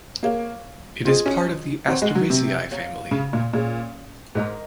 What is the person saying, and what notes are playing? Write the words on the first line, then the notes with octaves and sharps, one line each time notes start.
It is part of the Asteraceae family.
A#3 G#4 C#5 F5
C4 F4 G#4 D#5
C#4
C4 F#4 C#5 F#5
G#3
F#3
C3
F#4 C#5 F5 A#5
C#3
A#2
A#2 C#4 G#4 C#5
G#2 A#4 D#5 A#5